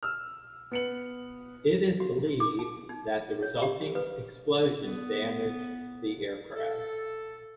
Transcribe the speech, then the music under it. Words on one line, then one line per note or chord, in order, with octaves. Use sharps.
It is believed that the resulting explosion damaged the aircraft.
E6 F6
B3 C#7 F#7
F#4
D6
A5
D#4
C#5
G4
B4
B3
A4